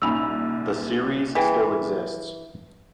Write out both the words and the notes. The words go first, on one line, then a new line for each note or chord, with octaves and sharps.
The series still exists.
C2 A#2 C#4 D#4 B5 E6 F7
E3 G#4 G5